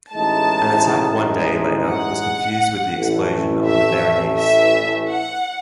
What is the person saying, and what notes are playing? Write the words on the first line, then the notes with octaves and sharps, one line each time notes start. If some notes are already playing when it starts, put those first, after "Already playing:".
An attack one day later was confused with the explosion on the Berenice.
A1 A2 G#3 D#4 G#4 A5
F#5
A1 A2 E3 A3
E5
E5
F#5